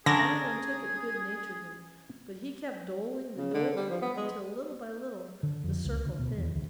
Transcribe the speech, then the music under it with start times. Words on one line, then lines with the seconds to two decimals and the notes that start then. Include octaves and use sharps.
Every one took it good-naturedly, but he kept doling the doleful until little by little the circle thinned.
0.06 D3 C#4 D4 G#4 A#4 A#6
3.37 C#3
3.54 D3
3.76 G3
3.90 F3
4.02 B3
4.17 G#3
5.43 D3
5.64 F2
5.85 C#2
6.06 D2
6.19 B2
6.38 E2
6.54 D2